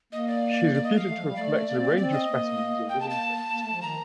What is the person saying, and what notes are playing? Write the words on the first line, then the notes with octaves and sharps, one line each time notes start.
She is reputed to have collected a range of specimens of living things.
A#3 D#5
D5
D5
D#5
F5
A3
F3
G3
A3 D5
A#3
C4
A#3
C4 D5
D#5
A#3
G5
A5
A5
A#3
A3
F3
D#3 A#5